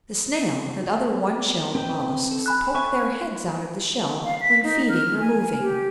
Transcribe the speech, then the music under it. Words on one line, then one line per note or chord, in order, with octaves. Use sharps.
The Snail, and other one-shelled molluscs, poke their heads out of the shell when feeding or moving.
C4 B4 G5
A4
G#5 B5 F#6
C4 E5 G#5 C#6
F5
B6
D#4
F6
G#5
G4